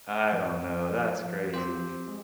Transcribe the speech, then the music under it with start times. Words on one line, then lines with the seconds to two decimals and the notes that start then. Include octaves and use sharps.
I don't know, that's crazy.
0.32 F3
1.54 C4 G4 C5
2.08 G#3